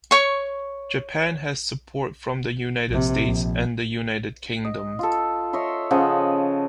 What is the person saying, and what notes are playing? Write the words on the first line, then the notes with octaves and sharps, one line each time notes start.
Japan has support from the United States and the United Kingdom.
C#5 C#6
A#1 C3
A#1
D#5
F4 A4
C#5 D#5 E5 C6
C#3 F3 D#5 F#5